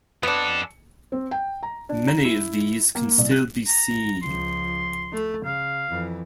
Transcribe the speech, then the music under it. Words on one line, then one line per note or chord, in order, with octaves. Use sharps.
Many of these can still be seen.
F2 B3 D4 A4
C4
G5
A#5
D4
A#5
E4
A#3
C2
F#6
A#5
C#2 F3 C6
A3
C#3 F5
F2 E3